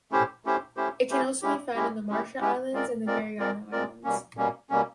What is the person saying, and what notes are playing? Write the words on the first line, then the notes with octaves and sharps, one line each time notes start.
It can also be found on the Marshall Islands and the Mariana Islands.
A3 C#4 E4 G4 C5
A3 C#4 E4 G4 C5
A3 C#4 E4 G4 C5
A3 C#4 E4 G4 C5
G#3 C#4 E4 G4
G#3 C#4 E4 G4
G#3 C#4 E4 G4
G#3 C#4 E4 G4
G#3 C4 F4 A#4 D5
G#3 C4 F4 A#4 D5
G#3 C4 F4 A#4 D5
G#3 C4 F4 A#4 D5
B2 G3 A#3 C#4
B2 G3 A#3 C#4
B2 G3 A#3 C#4